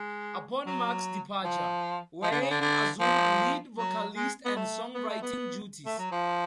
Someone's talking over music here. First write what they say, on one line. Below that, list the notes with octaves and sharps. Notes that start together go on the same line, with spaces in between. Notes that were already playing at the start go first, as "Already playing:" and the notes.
Upon Mark's departure, Wayne assumed lead vocalist and songwriting duties.
Already playing: G#3
F#3
F3
F3
D3
C#3
D3
D3
F3
F#3
G#3
B3
A3
B3
A3
B3
A3
F#3
F3